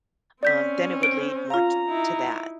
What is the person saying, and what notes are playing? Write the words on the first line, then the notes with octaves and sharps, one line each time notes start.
um, then it would lead more t to that.
C4 C#4 D5 G6 B6
C5 D7
F4 F5 A#5
D#4 E4